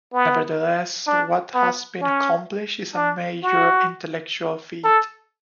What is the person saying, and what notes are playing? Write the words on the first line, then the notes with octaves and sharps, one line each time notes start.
Nevertheless, what has been accomplished is a major intellectual feat.
B3
D4
B3
C#4
D4
F#4
A4